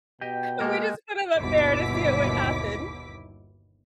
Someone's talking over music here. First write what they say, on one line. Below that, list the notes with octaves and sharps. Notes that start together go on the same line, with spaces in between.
and we just put him up there to see what would happen,
B2 G4 D#5 G5
G#3 A#3 A4 A#4
G1 D#2 B2 E4 D6 B6